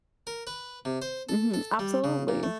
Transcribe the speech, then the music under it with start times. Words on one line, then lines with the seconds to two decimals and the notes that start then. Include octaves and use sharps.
Mhm. Absolutely.
0.27 A#4
0.47 B4
0.85 C3
1.02 C5
1.29 A4
1.54 A4
1.79 G3
2.04 C#3
2.28 A#2
2.43 A3